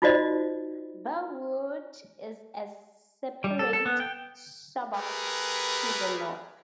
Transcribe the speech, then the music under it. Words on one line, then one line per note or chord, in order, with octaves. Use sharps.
Burwood is a separate suburb, to the north.
D#4 F4 F#4 C5 D5 D#5
G3
A4
A4
B3
G5
A3 G4 G#4 A#4 B4